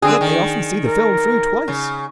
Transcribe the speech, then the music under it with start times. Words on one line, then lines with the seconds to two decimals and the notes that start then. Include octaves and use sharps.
Yet they often see the film through twice.
0.02 D3 C4 D4 G#4
0.21 D#3
0.85 A#4
1.68 C#3